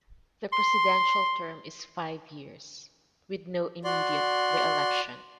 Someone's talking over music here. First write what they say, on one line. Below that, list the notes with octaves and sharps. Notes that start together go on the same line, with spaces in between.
The presidential term is five years, with no immediate reelection.
C6
F#4 D5 C6